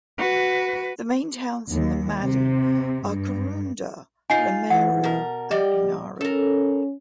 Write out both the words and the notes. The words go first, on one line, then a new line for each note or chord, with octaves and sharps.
The main towns in the mallee are Karoonda, Lameroo and Pinnaroo.
F#4 B4
D#2
C3
G2
D#4 F4 G#5 C7
E3 F#5
B2 A#4
G3 G4 D5 D#5
C#4 A4 A#4